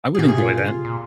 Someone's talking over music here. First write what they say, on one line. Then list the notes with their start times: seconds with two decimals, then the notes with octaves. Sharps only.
I would enjoy that.
0.15 A#2 G4 G#4
0.28 C3 G#4
0.38 A#2 F4
0.57 C#3 F4
0.72 C3
0.85 A#2